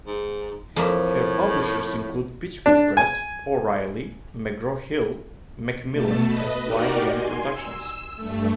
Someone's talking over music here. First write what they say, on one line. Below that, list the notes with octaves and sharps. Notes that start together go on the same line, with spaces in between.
Her publishers include Peachpit Press, O'Reilly, McGraw-Hill, Macmillan, and Flying M Productions.
G#2
F2 A2 A#3 E5
D4
G#5
B2 A3 A5
B4 D#5
D#4 F#4 G4 A#4 D5
G#5 C6
E6
G2 A3